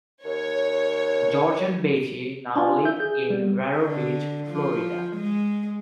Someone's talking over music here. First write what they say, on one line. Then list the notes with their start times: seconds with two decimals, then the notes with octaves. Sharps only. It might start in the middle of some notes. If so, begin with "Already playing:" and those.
George and Betty now live in Vero Beach, Florida.
0.24 D#2 C#5
2.56 D4 F4 G#5
2.85 E5 G6
3.00 G#4 G6
3.30 G3 B3
3.78 D3
4.47 F3
5.16 G#3